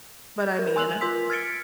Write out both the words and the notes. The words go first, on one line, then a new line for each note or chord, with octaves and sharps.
but I mean,
A#4
G#5 C6 E6 F#6 F7 F#7
F4 A#4 C6 E6 B6
F6 G#6 A6 B6 C#7 D7